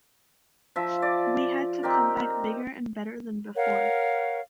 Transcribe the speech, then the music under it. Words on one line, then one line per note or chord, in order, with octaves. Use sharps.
We had to come back bigger and better than before.
F3 E5
D5
C4 D#4 G4 A#4
A#4 C#5 F5 F#5